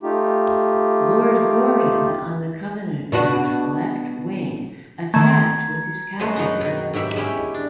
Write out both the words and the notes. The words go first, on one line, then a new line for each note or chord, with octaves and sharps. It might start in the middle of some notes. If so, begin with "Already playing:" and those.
Lord Gordon on the Covenanters left wing attacked with his cavalry.
A3 D#4 F4 G4
B2 D4 F#4
D#3 A3 A#5 G#6
F#2 F#3 G#3 B4 C5
F#3 B3 D#4
B2 D#3
G#2 F#3 G4 E5 B5
G#3 C#4 E4 G4
D4